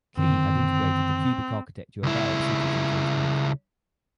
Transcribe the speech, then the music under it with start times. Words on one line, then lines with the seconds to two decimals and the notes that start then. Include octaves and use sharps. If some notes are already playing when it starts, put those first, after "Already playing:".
Klee had integrated the cubic architecture of Arab cities into his painting.
0.17 F#2 D3 D#3 C4
2.03 C#2 E4